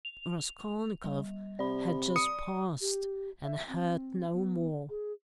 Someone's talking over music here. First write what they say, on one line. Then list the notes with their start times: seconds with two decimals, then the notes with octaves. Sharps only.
Raskolnikov had just passed and heard no more.
0.05 F7
1.04 G3
1.59 C3 D5 B5
2.16 D#6 C#7
2.81 G4
3.43 E5
3.68 C4
4.33 B3
4.90 G#4